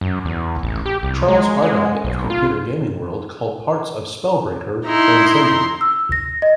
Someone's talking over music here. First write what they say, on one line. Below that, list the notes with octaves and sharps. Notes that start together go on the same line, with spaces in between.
Charles Ardai of "Computer Gaming World" called parts of "Spellbreaker" "transcendent".
F#2
E2
A1
G4
C2
G#3
G#3
B1
F4
D#4 E4 A#5 C6
E6
A#6
D#5